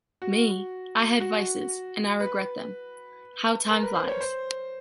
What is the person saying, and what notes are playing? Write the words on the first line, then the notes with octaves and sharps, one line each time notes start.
Me, I had vices, and I regret them... how time flies!
F#4
F#4
B4
A#4
B4
C5
C#5
C5